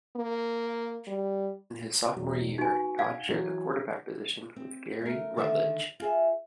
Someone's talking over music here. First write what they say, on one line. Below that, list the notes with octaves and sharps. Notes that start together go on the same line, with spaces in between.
In his sophomore year, Todd shared the quarterback position with Gary Rutledge.
A#3
G3
E1 F#3
D#4 F#4 B4 G#5
F5 F#5 G#6
E3 F#3
C4
A3 A#4
D3 D#3 A4 E5 F#5
F4 G#4 E5